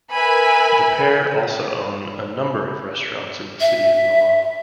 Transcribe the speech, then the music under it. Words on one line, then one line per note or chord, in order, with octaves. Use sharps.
The pair also own a number of restaurants in the city of Milan.
A#4 B4 E5 G#5 B5
E5